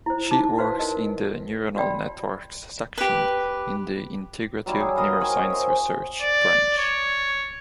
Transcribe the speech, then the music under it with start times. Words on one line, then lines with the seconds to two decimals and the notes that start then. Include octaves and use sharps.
She works in the neuronal networks section in the integrative neuroscience research branch.
0.06 E4 C5
0.31 D#4 A5 D6
0.58 F#4 B4 C5 F5
0.80 A#4 D#5
1.77 F#4 D5 G5 B5
2.98 G4 B4
4.66 F#3 G3 E4
4.81 G#4
4.96 A#4 D#5 F5 F#5
5.20 C4 C#5 G#5
5.37 D#5
5.50 C5 E5
6.22 D5
6.78 C#5